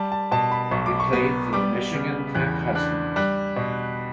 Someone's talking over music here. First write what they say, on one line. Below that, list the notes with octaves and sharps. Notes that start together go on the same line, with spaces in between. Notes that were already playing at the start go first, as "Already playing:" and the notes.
He played for the Michigan Tech Huskies.
Already playing: G3 A5
A5
B2 A5
B5
B1 C#6
D6
C#6
B3
G3 D6
C#3
E2 F#6
D4 F#6
G3 F#6
B2